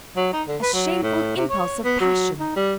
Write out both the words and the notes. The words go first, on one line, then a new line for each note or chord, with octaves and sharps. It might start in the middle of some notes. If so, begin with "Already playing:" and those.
A shameful impulse of passion.
F#3
D#4
D3
B4
F#3
A2
C3
C#5
B3
F#3
D#4
G3